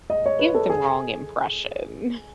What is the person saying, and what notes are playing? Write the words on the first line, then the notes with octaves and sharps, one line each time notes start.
give the wrong impression.
D#5
C#5
B4
A4
G#4